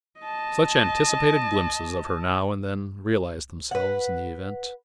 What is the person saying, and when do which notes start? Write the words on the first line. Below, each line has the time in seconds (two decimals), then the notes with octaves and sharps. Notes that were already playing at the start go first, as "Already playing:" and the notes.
Such anticipated glimpses of her now and then realized themselves in the event.
0.20 D#5 A5
3.71 B4 F#5